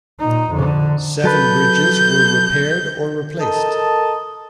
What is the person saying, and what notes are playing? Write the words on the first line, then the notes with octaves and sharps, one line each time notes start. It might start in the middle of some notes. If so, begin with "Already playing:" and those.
Seven bridges were repaired or replaced.
A#2 D#4
F2 D3
F#3 A4 B4 G6
A4 A#4 D#5 A5